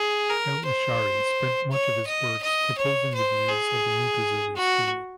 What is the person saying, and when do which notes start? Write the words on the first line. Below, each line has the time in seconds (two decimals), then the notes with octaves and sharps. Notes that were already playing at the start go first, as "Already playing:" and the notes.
Al-Ash'ari spent much of his works opposing the views of the Mu'tazili school.
Already playing: G#4
0.29 A#4
0.65 C5
1.71 C#5
2.07 D#5
2.43 D#5
2.78 C#5
3.14 C5
3.49 G#4
4.56 F#4